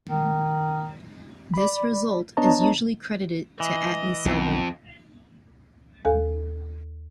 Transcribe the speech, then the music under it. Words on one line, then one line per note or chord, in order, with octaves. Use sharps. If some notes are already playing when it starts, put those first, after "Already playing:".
This result is usually credited to Atle Selberg.
D#3
D5 B5
B3 D4 C#5 D#5 A5 A#5
E3 D#5
B1 F2
D#2 A4 G#5